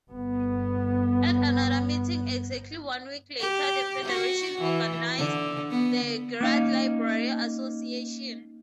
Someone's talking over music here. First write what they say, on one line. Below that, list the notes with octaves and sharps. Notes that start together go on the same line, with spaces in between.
At another meeting exactly one week later the Federation organized the Girard Library Association.
G1 B3
G4
F#4
E3
D3
B3
A#3 C#4 D#4 F5